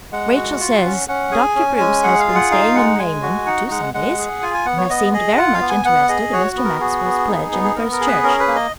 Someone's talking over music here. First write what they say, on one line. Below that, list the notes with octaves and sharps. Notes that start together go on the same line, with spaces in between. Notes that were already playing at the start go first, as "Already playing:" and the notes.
"Rachel says Dr. Bruce has been staying in Raymond for two Sundays and has seemed very much interested in Mr. Maxwell's pledge in the First Church."
G#3 F#5
F#4
F4
C#4
C#4 F#5
G#4 G#5
C#4
G#3
G#4 F#5
F5
F4
F#5
D#4 F5
G#3 F#5
G#3 G#5
F#4
D#4 F#5
G#3 F#5
G#3 F#5
G#4
F4 G#5
G#5
B3 F#5
C#5
B3 D#5
G#4 D#5
F4 F#5
F5
B3
G#5
B3 F#5
G#4 D#5
F#4 C#5
B3
A#4
F#4 G#4
B3
D#4
B3
G#4
B3 A#4
A#4
G#4
B4
C#4 A#4
B4
A#3
D#5